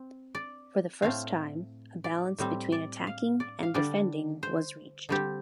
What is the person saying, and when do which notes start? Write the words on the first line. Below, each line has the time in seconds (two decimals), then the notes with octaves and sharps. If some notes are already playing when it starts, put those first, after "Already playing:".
For the first time, a balance between attacking and defending was reached.
Already playing: C4
0.35 D5
1.02 A2 A3 C4 F5
2.04 D5
2.38 A2 G3 C4
2.72 D5
3.07 F5
3.40 D5
3.63 F5
3.74 D3 G3 D4 D5
4.43 C5
5.09 D3 G3 C4 G4